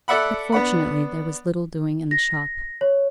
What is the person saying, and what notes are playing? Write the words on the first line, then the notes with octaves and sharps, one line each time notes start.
But fortunately there was little doing in the shop.
A4 D5 E5 F#5 B5
B3 D4 F#5 B5
A#6
C#5